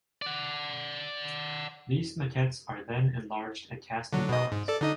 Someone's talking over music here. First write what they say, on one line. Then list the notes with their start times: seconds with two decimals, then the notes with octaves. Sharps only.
These maquettes are then enlarged and cast in bronze.
0.22 D5 F#5
4.13 D3 F#3
4.29 B2 D#5
4.52 G#2
4.68 A4 D5
4.81 D3 D#4 D#5